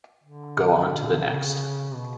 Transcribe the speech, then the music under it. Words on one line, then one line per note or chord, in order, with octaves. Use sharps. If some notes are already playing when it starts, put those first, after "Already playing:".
Go on to the next.
D3
C#3
B2